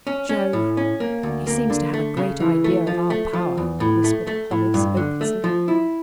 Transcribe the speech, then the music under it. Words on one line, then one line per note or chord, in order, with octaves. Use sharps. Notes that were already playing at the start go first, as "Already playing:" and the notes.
"By Jove, he seems to have a great idea of our power," whispered Hollis, hopelessly.
C#4
C#4
A2
C#4
A#3
D2
A#3
D3
A3
C#3
E3
A3
F3
A3
F3
E2
A2
A3
A3
A2
G2
D3
A3
F3
E4